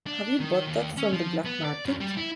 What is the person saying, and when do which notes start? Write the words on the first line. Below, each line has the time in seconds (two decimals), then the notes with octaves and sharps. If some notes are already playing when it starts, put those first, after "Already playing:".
Have you bought that from the black-market?
0.06 D4
0.40 D#3
0.67 D#2
0.97 C#4
1.13 F3
1.45 B3
1.65 D5
1.86 F#2
2.01 G3
2.17 E4